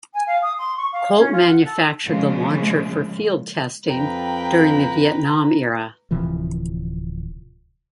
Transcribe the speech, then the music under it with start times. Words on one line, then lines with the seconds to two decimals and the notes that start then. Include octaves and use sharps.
Colt manufactured the launcher for field testing during the Vietnam era.
0.12 G#5
0.27 F5
0.41 D#6
0.57 C6
0.76 C#6
0.91 F5
1.19 C#4
1.32 F4
1.47 F#5
1.65 A4
2.05 A#2 C#3 F3 G#3
3.88 F2 B4 G5 A#5
6.11 D1 C3 E3 F3